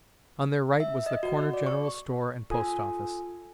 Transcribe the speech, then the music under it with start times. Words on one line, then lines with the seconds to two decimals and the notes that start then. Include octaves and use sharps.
On their right was the corner general store and post office.
0.80 E5
1.06 D#5
1.23 F#4
1.53 D5
1.66 C#6
2.50 F4 A4 G#5 D#6